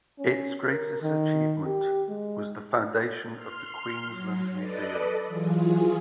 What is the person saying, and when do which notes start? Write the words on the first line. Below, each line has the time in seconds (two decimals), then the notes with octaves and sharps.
Its greatest achievement was the foundation of the Queensland Museum.
0.19 C#4
0.70 A#4
1.02 D#3
1.66 G4
2.09 G#3
3.32 C6 F6
4.07 F#3
4.57 A4 B4 D5 D#5
5.26 E3 F#3 F4 G#4